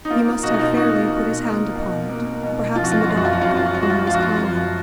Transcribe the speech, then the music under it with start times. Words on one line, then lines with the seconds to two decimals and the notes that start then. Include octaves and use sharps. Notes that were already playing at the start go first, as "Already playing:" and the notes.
He must have fairly put his hand upon it, perhaps in the dark, when he was climbing.
0.05 D#4
0.10 A#3 F4
0.43 B2 D#4 F#4
0.54 D#4
0.59 F4
0.77 A#3 D#4 F#4
1.10 B2
1.44 A#3
1.76 B2
2.10 A#3
2.43 B2
2.76 F3 F4
2.84 F#4
2.92 F4
3.01 F#4
3.09 F#2 F4
3.17 F#4
3.25 F4
3.33 F#4
3.41 F#2 F4
3.49 F#4
3.57 F4
3.66 F#4
3.74 G#3 F4
3.83 F#4
3.90 F4
3.99 F#4
4.07 F3 F4
4.14 F#4
4.22 F4
4.41 F#2